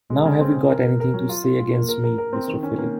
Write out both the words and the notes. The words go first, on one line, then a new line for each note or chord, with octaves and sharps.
Now have you got anything to say against me, Mr Philip.
G#3
C#3
C4
C#3
A#4
A#4
A#4
F#3
F4
F4
F4
A#3
A#4
A#4
A#4
C4
D#3
C#4
A#3